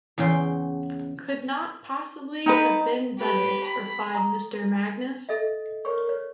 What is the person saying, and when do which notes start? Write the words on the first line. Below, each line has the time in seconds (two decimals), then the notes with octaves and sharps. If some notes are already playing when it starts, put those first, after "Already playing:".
Could not possibly have been better,’ replied Mr. Magnus.
0.18 E2 C#3 G5 C6
2.46 D#4 B4 D#5 G5 A#5
3.19 G4 B4
3.65 B5
4.15 A#5 D#6
5.29 A4 D#5 E5
5.85 A#4 C#5 C#6
6.09 C#5